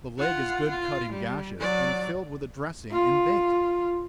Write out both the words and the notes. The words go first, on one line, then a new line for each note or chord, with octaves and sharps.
The leg is good cut in gashes, and filled with a dressing, and baked.
F4 F#5
F4
G3
F#3 D5
F4